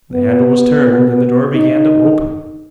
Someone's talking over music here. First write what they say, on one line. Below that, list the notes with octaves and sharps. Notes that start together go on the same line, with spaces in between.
The handle was turned, and the door began to open.
B3
D#4